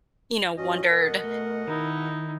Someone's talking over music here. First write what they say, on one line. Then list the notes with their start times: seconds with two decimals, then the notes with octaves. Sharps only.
you know, wondered
0.57 G2 C#4 F#4 D#5
0.89 B2 A#4 D#5 F#5
1.24 A3
1.67 D#3 D#4 E4